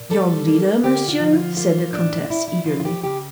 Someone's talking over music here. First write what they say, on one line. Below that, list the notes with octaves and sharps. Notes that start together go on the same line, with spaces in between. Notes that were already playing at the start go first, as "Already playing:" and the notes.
"Your leader, Monsieur?" said the Comtesse, eagerly.
Already playing: A#2
G3 A4
A#3
D3 G4
F4
F3
F4
A#3 F4
A2 D4
A#2 E4
E4
F3 F4
F4
G4
C#3 G4